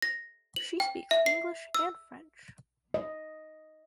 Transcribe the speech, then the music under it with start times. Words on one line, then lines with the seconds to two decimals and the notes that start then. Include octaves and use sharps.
She speaks English and French.
0.02 A#6
0.56 F#7
0.80 G5
1.11 E5
1.26 C7
1.74 E6
2.94 D#5